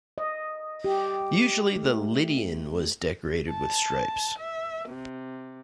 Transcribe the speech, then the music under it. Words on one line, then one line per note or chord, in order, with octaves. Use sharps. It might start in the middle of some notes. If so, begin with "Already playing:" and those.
Usually, the "lydion" was decorated with stripes.
D#5
G4
A3
A5
E5
C3